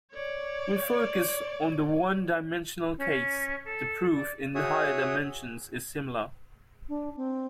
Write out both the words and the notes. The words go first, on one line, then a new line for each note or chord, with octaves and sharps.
We'll focus on the one-dimensional case, the proof in higher dimensions is similar.
C#5 D5
C#4
A4
D5
F#4 G#4 C#5 E5 D#6
D4
C4